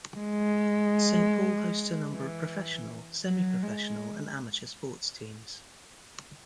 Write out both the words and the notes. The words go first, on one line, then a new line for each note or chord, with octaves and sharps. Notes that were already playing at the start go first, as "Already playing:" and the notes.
Saint Paul hosts a number of professional, semi-professional, and amateur sports teams.
G#3
E3
F#3
G#3